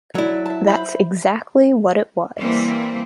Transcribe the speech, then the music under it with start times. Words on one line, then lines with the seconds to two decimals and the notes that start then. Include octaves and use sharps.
That's exactly what it was.
0.15 F#3 E4 A4 D5
0.46 E5 A5
0.67 C5 E5 B5
2.39 E3 G3 A#3 C4